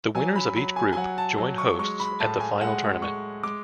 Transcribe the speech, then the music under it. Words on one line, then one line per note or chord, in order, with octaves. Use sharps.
The winners of each group join hosts at the Final Tournament.
F#3 G#5
B5
F#3 B5
G#5
G#5
F#3 F#5
A5
F#3
C#6
G#3 C#6
B5
A2 A5
G#5
G#3 F#5
G#3 C#6
G#3 D6